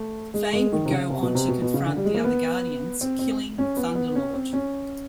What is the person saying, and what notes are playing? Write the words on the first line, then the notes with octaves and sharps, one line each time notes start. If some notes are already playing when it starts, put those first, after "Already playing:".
Fain would go on to confront the other Guardians, killing Thunderlord.
Already playing: A3
G#3
G#3
D#3
C3
C#3
C3
B2
C3
B2
B2
C#3
D3
G3
G#3
A#3
B3
C4
C4
C#4
B3
B3
C#4
C4
C#4